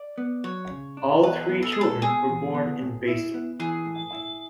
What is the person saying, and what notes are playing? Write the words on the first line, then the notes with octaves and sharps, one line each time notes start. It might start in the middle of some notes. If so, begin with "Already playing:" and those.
All three children were born in Basel.
Already playing: D5
B3
F#3 C#5
C#3
D4
E2 B4
B3
A4
G#3 G#4
A4
B2 G#4
E2
B3
A2
E4
B3
E3 G#4
A2
E4